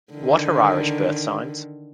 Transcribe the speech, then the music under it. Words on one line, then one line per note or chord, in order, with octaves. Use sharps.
What are Irish Birth Signs?
D3 D#3